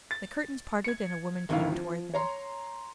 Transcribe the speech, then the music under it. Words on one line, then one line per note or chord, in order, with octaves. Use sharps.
The curtains parted and a woman came toward them.
A6
G#6 C#7
G#1 D2 D#3 E4 F5
F3
C#5 A#5 C6